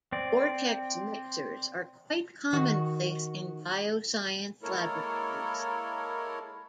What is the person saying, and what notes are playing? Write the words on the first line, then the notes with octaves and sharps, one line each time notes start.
Vortex mixers are quite commonplace in bioscience laboratories.
C4 D5
D#3 F#4
G#3 A#3 E4 A4 A#4 C#5